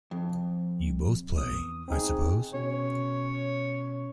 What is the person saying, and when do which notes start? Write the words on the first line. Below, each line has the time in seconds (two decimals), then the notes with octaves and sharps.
You both play, I suppose?
0.11 F2
1.35 E2 D#6
1.88 C4 D#4 G#4
2.54 B2 C#4 C#5